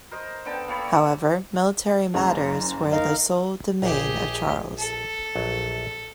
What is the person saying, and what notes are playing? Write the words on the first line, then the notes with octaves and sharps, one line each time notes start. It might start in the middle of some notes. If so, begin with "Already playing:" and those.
However, military matters were the sole domain of Charles.
A#4 C5 D#5 A#5
D3 B3 G5 A5
A#3 A4 C#5 B5
F#1 F#2 G#4 A#5
D#4 A#4 D#5 F5
A#1 G4 G#4
A4
A#1 F#3